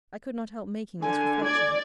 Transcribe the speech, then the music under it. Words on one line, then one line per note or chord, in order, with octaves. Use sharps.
I could not help making this reflection.
D3 G#5
D5 G#6